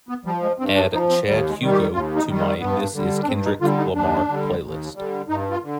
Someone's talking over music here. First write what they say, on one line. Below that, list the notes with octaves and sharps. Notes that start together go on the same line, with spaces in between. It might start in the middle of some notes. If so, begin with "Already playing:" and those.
Add Chad Hugo to my This Is Kendrick Lamar playlist.
B3
F3 G3
G#3
G2 C4
D4
F3 D#4
C4
D#2 G3
G#3
D#3 G3
G4
D#2 F4
D#4
D#3 G3
G#3
G2 B3
D3 G3
D4
G2 C4
D#4
D3 G3 F4
D#4
D#2 D4
D3 G3
D#2
D3 G3
G2 D#4
F4
D3